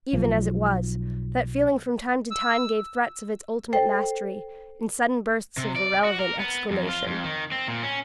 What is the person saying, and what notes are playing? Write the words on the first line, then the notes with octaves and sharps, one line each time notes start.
Even as it was, that feeling from time to time gave threats of its ultimate mastery, in sudden bursts of irrelevant exclamation.
B1 F3
E6
A4 C5 G5
C3
D5
F#4
A#4
B3
F2
F4
F2
D#3
C4
A#2
C#4